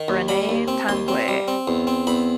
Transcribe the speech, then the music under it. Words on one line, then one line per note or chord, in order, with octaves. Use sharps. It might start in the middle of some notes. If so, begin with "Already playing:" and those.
Rene Tanguay.
Already playing: D#3
D#2
G3 B5
D#2
C4
D#2 C6
C4
G3
C4
E2
C4
E2 B5